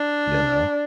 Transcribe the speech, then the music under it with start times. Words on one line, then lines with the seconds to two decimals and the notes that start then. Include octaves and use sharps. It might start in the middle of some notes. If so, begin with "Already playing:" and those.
you know?
Already playing: D4